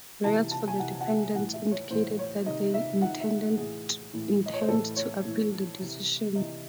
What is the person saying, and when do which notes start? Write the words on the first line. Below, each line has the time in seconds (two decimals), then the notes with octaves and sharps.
Lawyers for the defendants indicated that they intended to appeal the decision.
0.24 C3 E3 A5
0.51 A5
0.68 G#5
0.79 C3 E3 F#5
1.00 F#5
1.07 E5
1.35 A2 E3 F#5
1.53 E5
1.71 C#5
1.90 A2 E3 C5
2.19 C#5
2.46 C3 D#3 D#5
2.74 E5
3.01 C3 D#3 F#5
3.20 E5
3.57 A2 E3 G#4
4.13 A2 E3
4.46 D#5
4.53 C#5
4.61 C5
4.69 A2 E3 A4
4.96 C#5
5.25 A2 E3
5.80 C3 E3
6.35 C3 D#5
6.41 E3